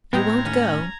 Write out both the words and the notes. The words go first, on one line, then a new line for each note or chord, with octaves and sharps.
You won't go.
A2 B3 C4 G4 D#5 A#5 G#6
D#2 C#4